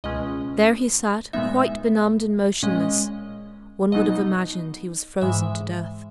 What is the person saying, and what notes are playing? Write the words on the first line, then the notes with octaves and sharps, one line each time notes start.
There he sat quite benumbed and motionless; one would have imagined he was frozen to death.
C#2 B2 G#3 C#4 D#5
A#2 G#3 B3 D#4 E5
A#2 G#3 C#4 D#5
B2 F#3 B3 D#4 D#5
G#2 E3 G#3 E5